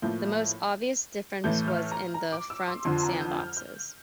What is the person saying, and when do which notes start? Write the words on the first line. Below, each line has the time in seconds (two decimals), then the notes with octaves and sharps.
The most obvious difference was in the front sandboxes.
0.02 A2 F3 A#3 G6
1.44 A2 E3 A3 G6
1.68 F6
1.92 A#5
2.14 A#5
2.32 D6
2.50 E6
2.68 C6
2.85 F2 D3 F3 C6
3.03 A#5
3.21 G6
3.38 F6
3.57 G6